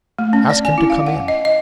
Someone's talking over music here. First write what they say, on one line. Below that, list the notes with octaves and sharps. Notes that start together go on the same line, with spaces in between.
Ask him to come in.'
A3
C#4
D5
G#5
E4
F5
F#5
D#5
D#5